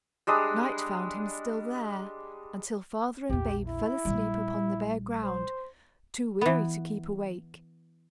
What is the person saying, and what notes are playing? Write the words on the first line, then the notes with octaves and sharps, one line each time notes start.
Night found him still there, until father and babe fell asleep upon the bare ground, too weary to keep awake.
G3 G#3 D4 D#6
A#1 E2 G4
E4
A#1 G3
C5
E3 B3